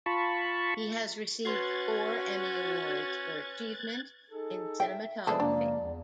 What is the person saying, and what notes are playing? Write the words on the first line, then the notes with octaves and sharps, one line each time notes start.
He has received four Emmy awards for achievement in cinematography.
F4 A5 B5 C#6
C#4 F#4 B4 C6 F#6 G#6 A6 C7
D#4 G#4 A4
E5 G5
F3 G#3 A3 B3 G#4 A4 D5
F#2 C#3 A#3 D4
E2